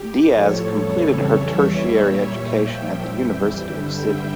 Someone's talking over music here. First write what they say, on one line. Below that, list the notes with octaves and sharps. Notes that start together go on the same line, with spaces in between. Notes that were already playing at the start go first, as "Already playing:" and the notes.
Dias completed her tertiary education at the University of Sydney.
Already playing: G4
A2 F3 A4 C#5
F2 C#3 E3 G3
E2 E3 G3 C#5 E5
A#2 G3
A#2 F3 E5 G5
F2 E3 G3
G2 D3 G3
E5 G5